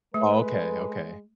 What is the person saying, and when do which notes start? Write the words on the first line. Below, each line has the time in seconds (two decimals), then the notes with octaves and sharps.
Oh, okay, okay.
0.14 G#3 A3 A4 B4